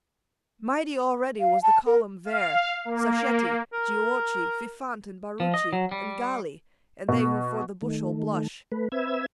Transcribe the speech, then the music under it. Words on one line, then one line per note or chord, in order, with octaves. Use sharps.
Mighty already was the Column Vair, Sacchetti, Giuochi, Fifant, and Barucci, And Galli, and they who for the bushel blush.
F5
A5
A#4
F5
A#3
A#4
F3
D#5
F#3
G3
B2
D#3 A3
A3 B4
C4 B4 E5 E6 G#6